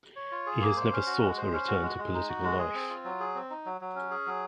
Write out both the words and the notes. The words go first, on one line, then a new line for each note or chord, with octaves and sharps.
He has never sought a return to political life.
C#5
F4
G#4
A#3
C5
C#4
F#4
G#3
C5
C#4
F#4
G#3
G#3
D#4
F#4
G#3
G#4
C4
F4
F#3
G#4
C4
D#4
F#3
F#3
C#4
G#4
F#3